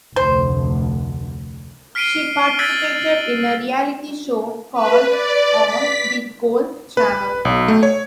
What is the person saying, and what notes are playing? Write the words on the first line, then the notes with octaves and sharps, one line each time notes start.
She participated in a reality show called on the Golf Channel.
F1 D2 C5
F6 B6 C7 D7 D#7 G7
E6 F#6 G#6 A6 B6 G7
B4
D5
B6
B4
B1
A3
C#5